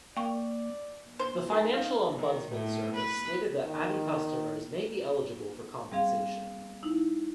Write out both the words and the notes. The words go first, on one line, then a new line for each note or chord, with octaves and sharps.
The Financial Ombudsman Service stated that Abbey customers may be eligible for compensation.
A#3 D5 G5 C#6
C5
D#4 G#4 A#4
D#4 F5
D#3
A2
B4
D#3
G3 C4 G#4 F5
D#4 E4